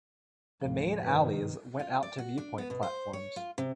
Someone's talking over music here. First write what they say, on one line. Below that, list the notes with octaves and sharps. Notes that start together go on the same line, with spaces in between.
The main alleys went out to viewpoint platforms.
D#2 A2 F3
G2 C3 D#3 B4
F4
D5
F#4
D4
B3
B2
C5
C#5
F4
C3